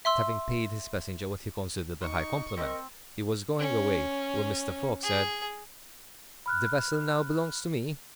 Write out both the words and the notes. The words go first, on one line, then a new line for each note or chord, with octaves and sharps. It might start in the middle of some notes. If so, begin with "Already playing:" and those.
And, having paid his passenger what he considered a high compliment, he was going away, when Mr. Fogg said, "The vessel now belongs to me?"
E5 C6 E6
D#4 C#6
C4 A#4 D#5
C#4
G#4
B5 F6 F#6